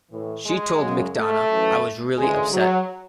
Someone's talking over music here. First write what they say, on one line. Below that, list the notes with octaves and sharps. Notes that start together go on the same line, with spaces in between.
She told McDonough, I was really upset.
A2 E3
G#3
F#2 C#3 F#3
A3
F#2 E3
D2 C#3 E3 G#3
F#3